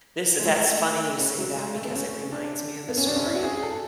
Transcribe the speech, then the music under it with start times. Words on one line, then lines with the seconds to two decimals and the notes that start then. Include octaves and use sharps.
Listen, that's funny you say that because it reminds me of the story.
0.39 G#3
0.45 A3
1.19 C#4
1.38 F#3
1.57 G#3
1.75 A3
1.84 B3
1.95 C#4
2.32 D4
2.88 B3
2.97 C#4
3.06 D4
3.16 C#4
3.26 E4
3.35 F#4
3.43 G#4
3.63 A4